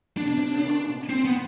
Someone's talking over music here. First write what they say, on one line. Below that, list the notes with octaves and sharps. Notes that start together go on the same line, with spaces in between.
in the middle of the winter,
D4
C4
B3